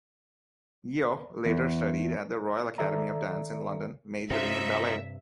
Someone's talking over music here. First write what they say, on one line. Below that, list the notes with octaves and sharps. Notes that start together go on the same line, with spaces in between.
Yeoh later studied at the Royal Academy of Dance in London, majoring in ballet.
E2
D#3 A4 D5 E5 A#5
G2 C3 C#4 D#4 F4 F#4 C5 E5